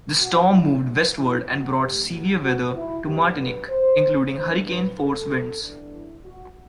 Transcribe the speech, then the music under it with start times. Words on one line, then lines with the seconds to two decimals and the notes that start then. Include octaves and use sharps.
The storm moved westward and brought severe weather to Martinique, including hurricane-force winds.
0.19 F#4
0.51 C3 F#3 A3 D4 E4
1.15 E4
1.47 F#4
1.79 F#2 D3 F#3 A3 G4
2.11 F#4
2.43 F#4
2.75 E4
3.06 D3 F#3 B3 D4 G4
3.38 B4
3.69 C5
4.34 G2 E3 A3 D4 C5
4.66 B4
4.98 A4
5.61 G2 E3 B3 D4
5.93 E4
6.24 F#4